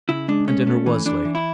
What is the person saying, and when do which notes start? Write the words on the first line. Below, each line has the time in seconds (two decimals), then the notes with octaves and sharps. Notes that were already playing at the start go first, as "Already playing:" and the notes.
And dinner was late.
0.09 C#3 E4
0.28 G#3 D4
0.47 A3 C#4
0.67 A3
0.86 E3
1.05 E3 D4
1.25 E3
1.35 E4